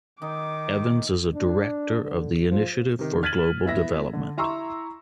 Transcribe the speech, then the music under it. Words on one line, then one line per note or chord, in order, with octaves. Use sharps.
Evans is a director of the Initiative for Global Development.
D#3 D#4 D6
D4
D3
F3
C3 D#3
F6 G#6 A6 B6 D#7 F#7
B3 E4 E5 A#6
D3
E4 A#5 C6 C#6 E6